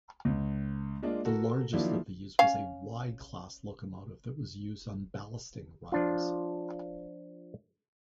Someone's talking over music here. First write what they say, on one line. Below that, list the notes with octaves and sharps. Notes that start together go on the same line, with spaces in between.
The largest of these was a Y-class locomotive that was used on ballasting runs.
C#2
G#3 A#3 D4 F4 D5 D#5
F#4 A4 A#4
D#3 F3 F#3 A#3 D4 E4
C#4 F5
F3 D4 F4